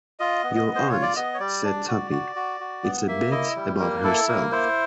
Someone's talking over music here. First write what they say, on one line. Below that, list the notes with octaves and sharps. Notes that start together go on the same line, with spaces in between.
Your aunt," said Tuppy, "is a bit above herself.
F4 D#5
B3
D#5
B3
C5
F4 C#5
D5
B3 D#5
C#5
G3 D5
D4
F#4
F#4
F#4
F#4
B3
A#3 E5
E4 D#5
G3
A#3 A#4
E4 A4
A#3 A#4
E4 C5